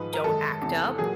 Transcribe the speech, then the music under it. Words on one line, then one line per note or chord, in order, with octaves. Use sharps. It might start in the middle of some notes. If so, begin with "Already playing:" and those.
"Don't act up,
Already playing: G#2 F3 G#3 B4
A#4
F#2 D#3 G#3 A4
E2 C3 E3 A3
A#2 F#3 G#4